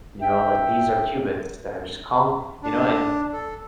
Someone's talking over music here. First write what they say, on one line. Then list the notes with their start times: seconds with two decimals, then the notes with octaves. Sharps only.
You know, like, these are cubits that are just calling you know, and
0.21 E5 G5
2.63 D4
3.33 A4